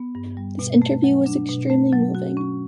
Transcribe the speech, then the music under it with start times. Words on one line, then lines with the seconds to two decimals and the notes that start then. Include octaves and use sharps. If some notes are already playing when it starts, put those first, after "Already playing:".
This interview was extremely moving.
Already playing: B3
0.15 G2
0.37 G3
0.59 B2
0.82 A3
1.04 F#3
1.26 D4
1.49 B2
1.70 A3
1.93 F#3
2.15 F#4
2.37 C#4